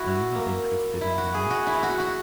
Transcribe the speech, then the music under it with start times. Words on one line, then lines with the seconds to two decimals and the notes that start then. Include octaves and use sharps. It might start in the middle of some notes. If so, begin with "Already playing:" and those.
Are you not interested in women?
Already playing: E4 F#4
0.35 A#3
1.01 E4
1.18 F#4
1.34 G#4
1.50 F#4
1.67 E4
1.83 F#4
1.99 F#4